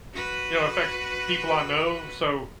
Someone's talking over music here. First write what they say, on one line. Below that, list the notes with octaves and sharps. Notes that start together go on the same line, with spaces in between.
you know, it affects people I know. So,
F#4 B4